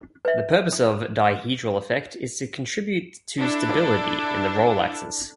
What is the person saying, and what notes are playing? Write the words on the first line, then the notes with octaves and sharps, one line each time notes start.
The purpose of dihedral effect is to contribute to stability in the roll axis.
B4 E5
D4 E4 A4